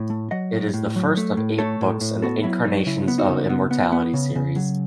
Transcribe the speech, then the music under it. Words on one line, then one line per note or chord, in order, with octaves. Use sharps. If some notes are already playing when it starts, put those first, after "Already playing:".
It is the first of eight books in the Incarnations of Immortality series.
Already playing: A2
A3
F#3 D#5 F#5
A2
A2
F#3
A3
A2
A3 A4 C#5
A2
A2
B3 F#4 A4
F#3 E4
F#3 D#4
C#3 E4
B3
D#4 F#4
C#3
B3
B3
B3
C#3
C#3
F#3